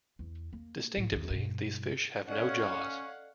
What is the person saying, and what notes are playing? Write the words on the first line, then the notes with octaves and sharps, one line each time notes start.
Distinctively, these fish have no jaws.
E2
A#3
A2 E4
E2 D#3
G2 B2
C#4 A4 D5 D#5 F5 F#5